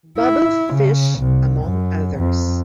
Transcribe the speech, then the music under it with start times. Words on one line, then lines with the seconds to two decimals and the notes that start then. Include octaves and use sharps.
Babel Fish among others.
0.18 E4
0.74 C#3
1.19 C2
1.65 F#2
2.17 F2